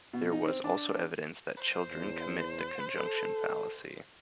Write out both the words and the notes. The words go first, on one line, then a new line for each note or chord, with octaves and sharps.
There was also evidence that children commit the conjunction fallacy.
B2
D#4
C4
D4
C5
E2
A4